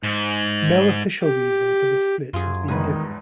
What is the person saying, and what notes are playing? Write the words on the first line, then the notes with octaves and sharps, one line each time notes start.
No official reason for the split has been given.
G#2
G4
F#2 F4 G#4
G1 E2 G#2 D#3 G#4 B4